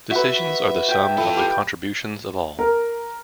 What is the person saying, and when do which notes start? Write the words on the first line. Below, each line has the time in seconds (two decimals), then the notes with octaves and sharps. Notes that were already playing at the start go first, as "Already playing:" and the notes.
Decisions are the sum of the contributions of all.
0.11 F#4 B4 E5
0.89 G5
1.18 E4 F4 A4
1.37 G4
2.59 A#4